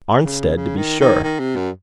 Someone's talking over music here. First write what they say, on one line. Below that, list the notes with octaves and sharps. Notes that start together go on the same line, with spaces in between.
"Arnstead, to be sure."
C#3
C#3
D#3
D#3
D#3
C3
F#2